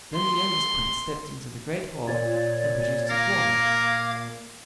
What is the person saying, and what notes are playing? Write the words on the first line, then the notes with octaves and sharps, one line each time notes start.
Then the youngest Prince stepped into the great hall and produced his walnut.
C6
A#2 C#5 D5
A#4 F5 D6 G#6